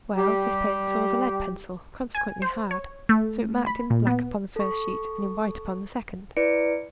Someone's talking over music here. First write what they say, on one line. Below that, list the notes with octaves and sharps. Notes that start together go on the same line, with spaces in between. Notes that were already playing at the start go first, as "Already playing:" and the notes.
"Well, this pencil was a lead-pencil, consequently hard; so, it marked in black upon the first sheet, and in white upon the second."
G3 G4
G#5
C5
C#5
A3
B5
A#2
B3
A4 C#6
E4 B4 D5 C#7 D7